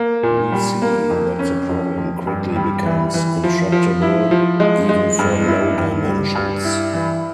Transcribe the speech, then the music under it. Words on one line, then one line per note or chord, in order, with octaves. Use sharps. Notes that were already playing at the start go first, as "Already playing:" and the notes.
We see that the problem quickly becomes intractable, even for low dimensions.
Already playing: A#3
A#2
G3
A#3
F2
C#4
F2
F2
G2
G3
E3
E3
F3
F3
E4
F3
G#3
G#3
G2
E4
G2
G3
G2
E4
E3